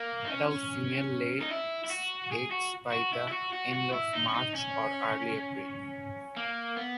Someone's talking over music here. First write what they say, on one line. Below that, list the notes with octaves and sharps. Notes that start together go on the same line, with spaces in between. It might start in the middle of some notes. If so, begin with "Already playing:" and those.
Adult female lays eggs by the end of March or early April.
Already playing: A#3
D#4
C#4
D#4
E4
E4
F#4
G#4
F#4
F#4
E4
E4
F#4
F#4
F#4
E4
D#4
C#4
D#4
C#4
A#3
B3